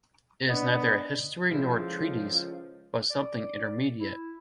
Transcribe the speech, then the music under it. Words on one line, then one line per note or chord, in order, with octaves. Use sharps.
It is neither a history nor a treatise, but something intermediate.
B3 D4 D5 D#5
C#2 D3 F3 G#3 E4 A4 C5
D5
E4